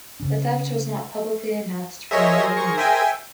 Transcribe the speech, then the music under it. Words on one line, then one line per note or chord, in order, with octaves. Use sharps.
The theft was not publicly announced for more than a week.
C#3 C#4
G#4 A#4 C5 C#5 D#5 E5
C#6
E5 G5 G#5